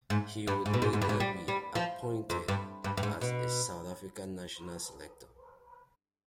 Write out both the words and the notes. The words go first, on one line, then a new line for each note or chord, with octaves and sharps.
He would later be appointed as a South African National Selector.
G#2
G2
G#2
B2
G#2
G#2
G2
G#2
G3
G3
F3
F2
G2
G2
G2
G#2
B2